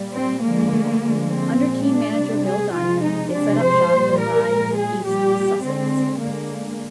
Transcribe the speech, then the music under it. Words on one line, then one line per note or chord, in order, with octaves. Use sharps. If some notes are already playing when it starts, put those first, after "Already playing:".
Under team manager Bill Dunne they set up shop in Rye, East Sussex.
Already playing: A#2 G3
C4
D3 F3 G#3 A#3
D3 F3 G#3
C4
A#2 G#3
D4
C3 G3
G#4
C3 F3 G#3 F4
D#4
C3 F3 G#3 D4
C5
A#2 G3
A#4
A#2 F3 G#3
G#4
A#2 G3 G4
D3 G#3 C4
D3 G#3 A#3